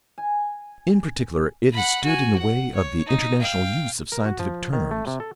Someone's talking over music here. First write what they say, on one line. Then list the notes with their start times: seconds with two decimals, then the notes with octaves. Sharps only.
In particular it has stood in the way of the international use of scientific terms.
0.18 G#5
1.72 F#5 B5
2.03 F#4 G#5
2.38 F#5
2.75 C#5
3.06 D#4
3.41 F5 G5
4.12 A#4
4.26 F#4
4.39 F3
4.73 D#3
4.91 A3
5.07 C3
5.20 A4